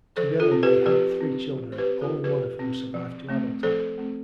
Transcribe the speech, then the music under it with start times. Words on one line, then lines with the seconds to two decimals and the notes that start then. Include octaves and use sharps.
Together they had three children, only one of whom survived to adulthood.
0.17 F3 A4 C5
0.40 F4 A4
0.52 C4
0.63 G4 B4
0.86 F3 G4 B4
1.21 C4
1.55 F3
1.72 C5
1.78 G4 B4
1.90 C4
2.01 F4 A4
2.24 F3 G4 B4
2.59 C4
2.94 F3
3.29 A3 C4
3.63 F3 A4 C5
3.98 A3 C4